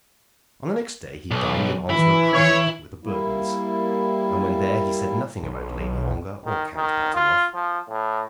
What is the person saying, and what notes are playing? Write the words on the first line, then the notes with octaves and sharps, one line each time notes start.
On the next day he dined in Onslow Crescent with the Burtons, and when there he said nothing about Lady Ongar or Count Pateroff.
B1
E3 E4
C#5
G3 A#3 E4
B1
D#3
D#3
F4
F3
A2